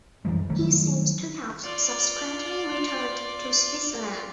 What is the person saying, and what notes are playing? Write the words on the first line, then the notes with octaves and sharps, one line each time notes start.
He seems to have subsequently returned to Switzerland.
F#2 E3 G3 G#3
D#3 F#3 G3 A3
F4 D5